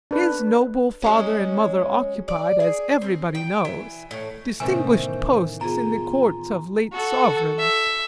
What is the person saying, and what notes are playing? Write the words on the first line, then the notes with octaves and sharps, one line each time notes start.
His noble father and mother occupied, as everybody knows, distinguished posts in the Courts of late Sovereigns.
D4 B4
F#3 G#3 C#4
D5
G#4
C4
G5
E3
A2
A2 C3 D#3 E3 B3 C#4 C5 G#5
B3 F4 G#4 A#5
F#4 A4
E5